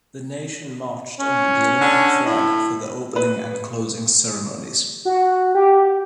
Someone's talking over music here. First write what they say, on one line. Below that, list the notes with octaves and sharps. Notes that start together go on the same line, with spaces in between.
The nation marched under the Olympic Flag for the Opening and Closing Ceremonies.
C#4
D3
A2
B4
F#4
G4